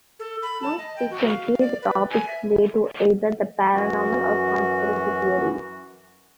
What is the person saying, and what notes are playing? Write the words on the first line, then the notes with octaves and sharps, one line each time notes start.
Most frequently the topics relate to either the paranormal or conspiracy theories.
A4
B5
A5
D#5
G5
F#4
F5
D5
B4
G#5
E5
F#2 E3 F#4